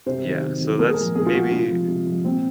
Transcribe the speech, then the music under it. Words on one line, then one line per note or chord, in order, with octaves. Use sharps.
yeah, so that's maybe
C3 C5
D#3 F#3
C3
D#3 F#3
A#2 A#4
G#4
A#4
F3 G#3
A#2 G#4
F4
F3 G#3 F#4
C3 F4
F3 G#3
C3
F3 G#3
A#2 C4